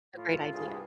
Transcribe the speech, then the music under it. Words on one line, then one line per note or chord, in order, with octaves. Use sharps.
a great idea.
A2 F4
C2 G2 G#4